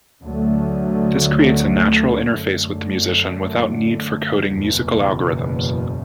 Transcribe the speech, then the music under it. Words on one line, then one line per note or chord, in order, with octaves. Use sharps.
This creates a natural interface with the musician without need for coding musical algorithms.
D2 D3 F#3 A3
F#2 D3 A3
F#1 E2 B2